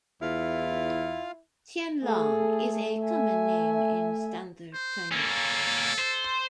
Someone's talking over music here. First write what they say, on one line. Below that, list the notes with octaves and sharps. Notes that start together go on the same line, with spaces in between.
Tianlong is a common name in Standard Chinese.
E2 E4 F4 F5
A3 G#4 A4
E5 G#5
C5
A#3 C#4 A4
C5